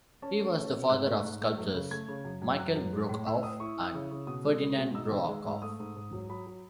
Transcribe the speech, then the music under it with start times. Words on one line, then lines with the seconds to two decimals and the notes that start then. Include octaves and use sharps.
He was the father of the sculptors Michael Brokoff and Ferdinand Brokoff.
0.22 C#4 A5
0.40 A3
0.57 C#4
0.73 B2
0.90 G#2 F#6
1.07 A3
1.24 G#2
1.41 A3
1.57 F#2
1.74 C#3
1.91 A3 G#6
2.08 C#3
2.24 F#2
2.42 F#2
2.58 F#2 F#6
2.76 F#2
2.93 G#3
3.09 A2
3.26 A2 E6
3.43 A2 D#6
3.60 E4 C#6
3.77 E4
3.94 C#3
4.11 C#3
4.27 B2 D#6
4.44 G#3
4.61 G#3
4.78 B2
4.95 D#4 E6
5.11 D#3
5.28 G#3
5.46 G#2
5.62 A3 D#6
5.80 G#2
5.96 G#2
6.13 F#3
6.29 F#3 B5
6.47 F#3